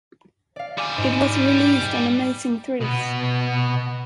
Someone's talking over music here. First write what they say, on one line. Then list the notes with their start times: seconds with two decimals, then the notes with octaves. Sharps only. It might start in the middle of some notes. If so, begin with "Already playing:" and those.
It was released on Amazing Thrills!
0.56 D5 F5
0.78 G3 G#5 D6 F6
0.98 G#2
1.81 G#2
2.81 B2 B3